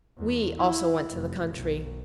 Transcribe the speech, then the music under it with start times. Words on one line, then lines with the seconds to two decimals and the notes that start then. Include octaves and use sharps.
We also went to the country.
0.18 E2
0.58 E4
1.12 F1
1.56 B1